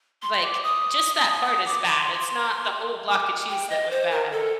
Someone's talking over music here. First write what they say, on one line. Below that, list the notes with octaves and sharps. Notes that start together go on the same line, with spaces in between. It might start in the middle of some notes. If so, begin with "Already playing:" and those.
like, just that part is bad, it's not the whole block of cheese that went bad.
C6
D6
D#6
D#6
D6
D6
C6
C6
D6
G5
D#5
C5
A#4
A4